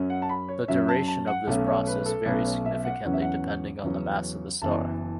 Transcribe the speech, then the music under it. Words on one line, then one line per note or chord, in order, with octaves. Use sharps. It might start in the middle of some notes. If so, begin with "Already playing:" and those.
The duration of this process varies significantly depending on the mass of the star.
Already playing: F#2 F#3 C#4
F#5
A5
B5
C#5
F#2 F#3 C#4 E5
A5
A5
F#5
B1 B2 A3 C#4
C#5
B4
A4
B1 B2 A3 C#4 B4
C#5
E5
F#5
E2 C#3 F#3 C#4 F#5
E5
F#5
E2 C#3 F#3 C#4
F#1 F#2 E3 B3 A5